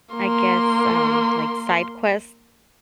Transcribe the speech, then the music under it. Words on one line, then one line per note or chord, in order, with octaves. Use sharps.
I guess, um, like, side quest
A#3 C6